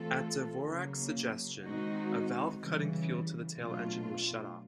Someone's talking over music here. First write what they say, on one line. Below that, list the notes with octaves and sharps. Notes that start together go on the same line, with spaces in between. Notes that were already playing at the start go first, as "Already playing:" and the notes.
At Dvorak's suggestion, a valve cutting fuel to the tail engine was shut off.
Already playing: E3 A3 C4 F4 A4
C#3 F#3 A#3
D#3 G#3 C4 D#4 F#4
C#3 E3 G3
B2 F#3 A3 D4 F4